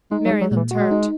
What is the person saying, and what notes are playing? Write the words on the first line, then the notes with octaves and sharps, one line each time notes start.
Mary looked hurt.
G#3 D#4
F#3
G#3
F#3
A#2
E3
G#3 F#4
D#4